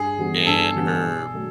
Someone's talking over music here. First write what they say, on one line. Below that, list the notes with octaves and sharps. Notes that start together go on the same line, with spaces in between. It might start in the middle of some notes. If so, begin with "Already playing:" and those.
and her
Already playing: G2 G#4
E3 G3 B3
G2 A4
E3 G3 B3
B2
F#3 A3